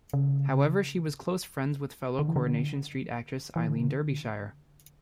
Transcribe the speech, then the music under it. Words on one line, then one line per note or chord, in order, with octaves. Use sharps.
However she was close friends with fellow Coronation Street actress Eileen Derbyshire.
C#3
D3
E3
D3
E3
D3
C#3
D3